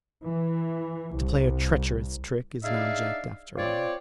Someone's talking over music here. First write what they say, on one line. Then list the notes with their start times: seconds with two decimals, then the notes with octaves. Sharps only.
To play a treacherous trick is an object after all.
0.23 E3
1.14 C2
2.64 D4 D#4 G#4 D5 E5 F5
3.58 C4 F4 C#5 D5